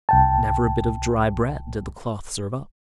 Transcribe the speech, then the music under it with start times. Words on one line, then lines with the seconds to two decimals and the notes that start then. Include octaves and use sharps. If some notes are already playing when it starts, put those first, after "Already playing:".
But never a bit of dry bread did the cloth serve up.
0.09 C2 G5 A5